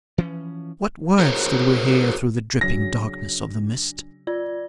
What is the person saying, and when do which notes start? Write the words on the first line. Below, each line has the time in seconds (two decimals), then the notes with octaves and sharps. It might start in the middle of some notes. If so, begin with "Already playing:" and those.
"What words did we hear through the dripping darkness of the mist?"
0.18 E3 F3 C#4
1.19 F#4 G#4 A#4 C5 C#5
2.61 C#3 F#3 D4 A#6
4.27 F4 D5 G#6